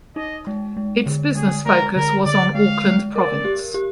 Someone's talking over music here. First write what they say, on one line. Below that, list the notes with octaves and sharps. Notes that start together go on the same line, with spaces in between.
Its business focus was on Auckland Province.
D#4 D#5
G#3
G#3
D3
G#3 G#4
G#3 A#4
D3 A#4
D3 D5
G#3 F5
G#3
A#4 D5
G4
G4